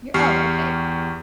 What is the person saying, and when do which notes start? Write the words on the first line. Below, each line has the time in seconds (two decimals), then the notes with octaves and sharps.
you're oh, okay,
0.14 E2 G4 C#6 F6 C7